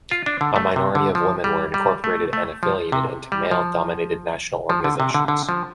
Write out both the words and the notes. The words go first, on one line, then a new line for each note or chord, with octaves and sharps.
A minority of women were incorporated and affiliated into male-dominated national organisations.
F4
D4
D3
A3
C3
D3
F3
G3
G3
A3
A3
F3
C3
G3
F3
F3
D3
C3
D3
D3
F3